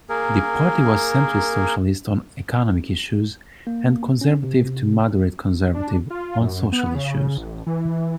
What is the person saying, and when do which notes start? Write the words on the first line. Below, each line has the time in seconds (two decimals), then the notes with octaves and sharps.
The party was centrist-socialist on economic issues and conservative to moderate-conservative on social issues.
0.09 A#3 G#4 A#4
3.67 A#3
4.21 C#4
4.43 C3
5.74 D4
6.10 F4
6.40 F#2
6.72 B3
6.95 C#3
7.37 A1
7.67 E3